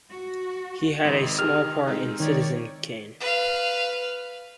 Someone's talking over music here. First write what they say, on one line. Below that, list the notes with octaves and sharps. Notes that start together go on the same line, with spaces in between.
He had a small part in "Citizen Kane".
F#4
G#1 G#2 D#3
G4 G#4 F6
G#3 C4 D#4
D#3 C#5 D5
B4 F5